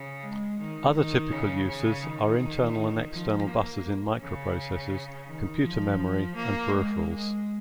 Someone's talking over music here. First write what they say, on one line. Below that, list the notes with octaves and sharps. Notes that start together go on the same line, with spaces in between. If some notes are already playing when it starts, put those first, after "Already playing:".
Other typical uses are internal and external buses in microprocessors, computer memory, and peripherals.
Already playing: C#3
G#3
D#3
D#3
C#3
C#3
D#3
F3
A#3
C#3
D#3
F3
A#3
G#3
G#3